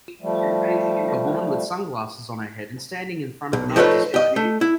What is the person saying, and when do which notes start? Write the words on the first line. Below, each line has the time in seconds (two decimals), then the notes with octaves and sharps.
A woman with sunglasses on her head and standing in front of an art display.
0.22 F3 G3 A3
3.53 B1
3.76 F3 A3 D#4 B4 C#5
4.14 G4 D#5
4.36 A3
4.61 E4